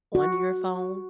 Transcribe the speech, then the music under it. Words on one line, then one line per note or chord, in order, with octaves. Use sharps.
on your phone,
F#4